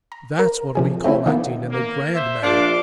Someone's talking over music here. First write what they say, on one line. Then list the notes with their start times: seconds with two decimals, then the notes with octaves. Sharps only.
That's what we call acting in the grand manner.
0.12 A#5
0.39 A#4
0.75 C3 F3 G#4
1.04 A3 C4 C#4 E4
1.26 D#3 A#3 B3
1.70 A#3
2.14 C5 E5
2.43 A#1 D4 F5 C6 D6